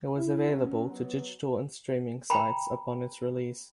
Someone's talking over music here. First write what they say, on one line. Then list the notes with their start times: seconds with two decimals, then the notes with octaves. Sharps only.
It was available to digital and streaming sites upon its release.
0.17 E4
0.49 F#3 C4 C#4
0.89 F#3 B3
2.30 G5 A#5 B5